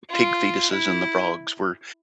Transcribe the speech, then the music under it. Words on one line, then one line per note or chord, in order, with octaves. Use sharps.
p pig fetuses and the frogs were
F4
E4